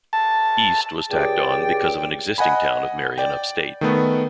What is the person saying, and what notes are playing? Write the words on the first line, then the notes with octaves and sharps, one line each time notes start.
"East" was tacked on because of an existing town of Marion upstate.
A5
C#2 G4 G#4 D5 G5
D#5 F#5 G#5 B5
D5 G5
D#3 A3 B3